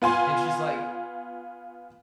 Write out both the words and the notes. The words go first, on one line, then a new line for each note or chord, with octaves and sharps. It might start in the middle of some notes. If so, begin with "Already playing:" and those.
And she's, like,
B3 F4 G#5 C6